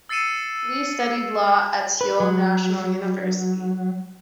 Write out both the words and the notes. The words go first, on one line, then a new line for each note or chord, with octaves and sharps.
Lee studied law at Seoul National University.
E6 A6 C7 C#7 D#7 E7
B4
F#3